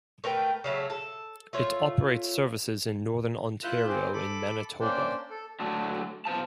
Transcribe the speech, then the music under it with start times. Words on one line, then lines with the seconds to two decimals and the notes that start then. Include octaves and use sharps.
It operates services in northern Ontario and Manitoba.
0.24 A3 A#4 B4 G5
0.64 C#3 F#3 A3
0.90 A4
1.53 A3 F4 C#5
3.64 E4 F4 E5 F#6 G6
3.87 C4 G4 G#4 C5
4.13 A4 B5 D6
4.80 A#3 C#4 D4 C5 D5 G5
5.30 A4
5.60 D3 F#3 A3
6.25 B2 E3 C5 F5 A5